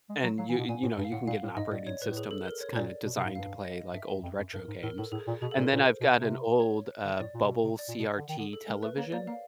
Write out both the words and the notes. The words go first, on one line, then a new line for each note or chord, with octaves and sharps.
and you you know, you can get an operating system that's kinda designed to play, like, old retro games, and then I've got an old, uh, bubble CRT television,
G#3
F#3
F#3 F5
E3
F#5
B2
A#2 G#5
A2
G2
F5
A2 F#5
A#2 F5
A2
G#2 D#5
A2 D5
G#2 C#5
A2 B4
G#4
A4
A#4
C#5
A#2 D5
B2
C3
F5
G#2
G2 F5
D#5
G2 E5
F2
F#2
G2 A#4
G#2
A2 A#4
A2 A4
A2 G#4
A#2
B2 G#4
A4
A#2
A#4
A#2 C5
B2
C3
C#5
D3
A2 D5
A#2
C3
B2
C3
D5
A#2
B2
D3
D#3
D3 G#4
A4
G#3 A#4
A3 B4
A#3 C#5
A#3 D5
A#3 F5